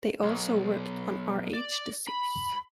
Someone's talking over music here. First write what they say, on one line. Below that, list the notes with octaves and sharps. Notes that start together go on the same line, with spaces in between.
They also worked on Rh disease.
B1
D5
B5